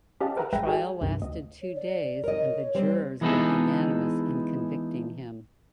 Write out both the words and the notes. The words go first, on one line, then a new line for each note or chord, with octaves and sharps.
The trial lasted two days and the jurors were unanimous in convicting him.
C#4 G4 D#5 F5 F#5 A5
G#4 A#4 B4 E5 F#5 A#5
A1 G#3 B4 E5 G5 A#6
F#4 G#4 A4 D5 G5 G#5
C#2 G2 C3 D#3
D2 D#5
C#5
D5
A#4 C#5 D#5
G3 C4
E3 G#3 B3 D#4 G#4 A4